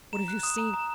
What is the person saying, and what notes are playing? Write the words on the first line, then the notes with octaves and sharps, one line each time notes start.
What have you seen?
A#5 E7
F#6
D#6 E7
A#5 E7
A#5